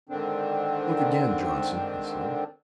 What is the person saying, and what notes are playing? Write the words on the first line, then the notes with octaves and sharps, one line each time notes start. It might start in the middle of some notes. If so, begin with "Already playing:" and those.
"Look again, Johnson," he said.
G#2 D3 D#3 C4 D4